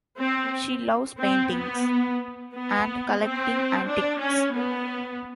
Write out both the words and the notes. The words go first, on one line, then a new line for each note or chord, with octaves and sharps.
She loves paintings and collecting antiques.
C4
C4
B3
B3
C4
D4
C#4
B3